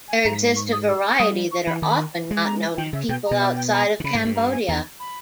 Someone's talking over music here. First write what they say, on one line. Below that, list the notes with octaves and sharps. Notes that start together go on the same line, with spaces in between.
There exist a variety that are often not known to people outside of Cambodia.
G#5
G#2 A#5
C#6
D#6
E6
G3 D#6
C#6
E3 B5
D#3 B5
G#3
A#5
D#3 G5
C#3 E5
B2 G5
A#5
B2
E5
G5
A#5
D#3
C#3 B5
G#2
G2
A#5
G#5
E2 A#5
B5